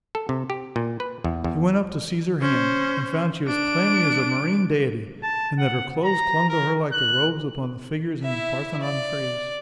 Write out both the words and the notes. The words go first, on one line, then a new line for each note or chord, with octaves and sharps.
He went up to seize her hand, and found she was clammy as a marine deity, and that her clothes clung to her like the robes upon the figures in the Parthenon frieze.
A4
C3
G4
A#2
B4
E2
E2
C#4 C5
D4 D7
A5
F#5
A#5
A#4
F#6
E4 E5
D5